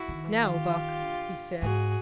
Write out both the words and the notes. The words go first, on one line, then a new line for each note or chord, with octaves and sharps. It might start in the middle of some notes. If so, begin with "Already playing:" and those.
"Now, Buck," he said.
Already playing: E4 F#4
D#3
E3
D#3 F4 G4
D3
G#2 F#4 G#4